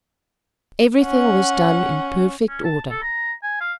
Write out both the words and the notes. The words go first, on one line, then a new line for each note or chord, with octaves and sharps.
Everything was done in perfect order.
C#4 F#5
C#4
A5
A4
A#5
G#5
F5